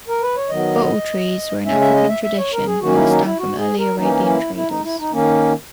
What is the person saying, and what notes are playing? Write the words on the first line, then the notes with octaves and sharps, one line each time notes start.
Bottle trees were an African tradition, passed down from early Arabian traders.
A#4
B4
C#5
D#3 F#3 B3 D#5
C#3 G#3 C#4 E5
E5
D#5
E5
E5
C#5
A#4
G#4
D#3 F#3 A#3 C#4 F#4
E4
D#4
E4
F#4
G#4
A#4
E3 A#3 C#4 D#4
E4
E4
D#4
E4
D#4
D#3 A#3 C#4